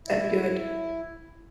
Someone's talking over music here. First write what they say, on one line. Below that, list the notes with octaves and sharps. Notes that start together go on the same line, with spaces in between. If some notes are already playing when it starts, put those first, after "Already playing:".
That good.
E4